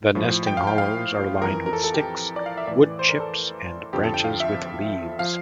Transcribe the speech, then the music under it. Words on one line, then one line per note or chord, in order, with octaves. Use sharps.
The nesting hollows are lined with sticks, wood chips and branches with leaves.
A2 F3
G5
F5
G5
F5
F2 E3 A#4
A#4
A4
A4
G4
D5
F5
E5
A2 E3 D5
C5
A#4
A4
F2 D3 F3 G4
A4
G5
F5
E5
F3 F5